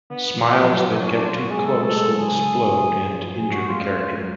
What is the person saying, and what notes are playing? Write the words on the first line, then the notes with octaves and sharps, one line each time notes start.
Smiles that get too close will explode and injure the character.
D3 B3
F3
F#3
F3
F#3
D4
C#4
D4
F4
F#4
G#3 G#4
B3
A4
B3
A3 A4
G#3 A4
F#3
D3 G#4
C#3
F3
F3
F#3 G#4
G#3 F#4
F4
C#4
B3
G#3
F#3